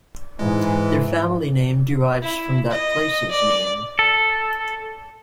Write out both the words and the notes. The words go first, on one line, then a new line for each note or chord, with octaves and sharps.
Their family name derives from that place's name.
G#2 E3 G#3
E4
D#5
D5
A4